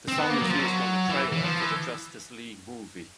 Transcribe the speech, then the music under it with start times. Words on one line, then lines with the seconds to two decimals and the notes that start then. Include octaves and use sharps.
The song was used on a trailer for the Justice League movie.
0.08 C4
0.18 B3
0.30 A#3
0.42 F#3
0.50 F3
0.59 F#3
1.09 E3
1.32 E3
1.44 F3
1.60 E3